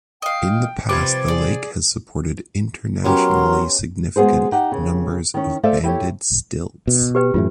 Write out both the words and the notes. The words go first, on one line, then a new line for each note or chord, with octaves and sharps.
In the past the lake has supported internationally significant numbers of banded stilts.
D#5 F5 G5
C3 F3 G3 B4 D6 G#6 A6
G#4 D5
F#3 B3 C#4 G4 A#4 C6
G#3 B3 F#4 G#4 C5
D#4 G4 F#5
D#2 C#3
D#3 C#4
A3 A4 C5 D5 E5 F5
E4 G4 A4 C#5
B2
G4 B4 G5
F#2 A2 E3 F4